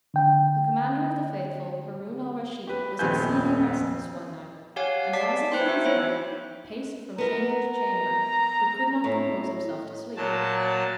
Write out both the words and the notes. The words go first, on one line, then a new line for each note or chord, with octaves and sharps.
The Commander of the Faithful Harun Al-Rashid was exceeding restless one night and rising from his bed, paced from chamber to chamber, but could not compose himself to sleep.
D3 G5
G4 B4
D#1 F2 B3 B4 G#5 G6
G4 C#5 F5 F#5 G#5
D5 A5 D6 B6 C7
B4 C5 G5 C6
B3 D#4 F#4 E5
E4 C5 C#5 E5
B3 A#4 A#5
A2
A#2 F#3 A5